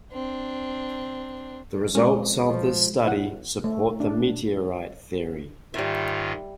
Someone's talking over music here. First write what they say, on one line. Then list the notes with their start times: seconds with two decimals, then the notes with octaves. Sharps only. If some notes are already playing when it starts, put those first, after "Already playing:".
The results of this study support the meteorite theory.
0.12 C4 D4
1.95 F2 G#3 C#4 F#4
2.49 F3
3.05 B1 B3 E4 F#5
3.64 A3
4.00 D4
5.74 G#2 D#3 G3 F4 E5